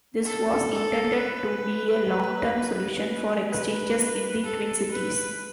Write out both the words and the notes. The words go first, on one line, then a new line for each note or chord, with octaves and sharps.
This was intended to be a long-term solution for exchanges in the Twin Cities.
A4
A4
B4
B4
A4
B4